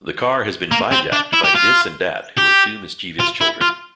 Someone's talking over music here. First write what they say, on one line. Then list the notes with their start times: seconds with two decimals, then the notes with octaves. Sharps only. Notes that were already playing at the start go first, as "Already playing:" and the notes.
The car has been bijacked by "Dis" and "Dat", who are two mischievous children.
0.72 A#3
0.92 C4
1.12 D4
1.33 E4
1.44 G4
1.55 F4
2.37 G4
3.20 F4
3.41 E4
3.62 F4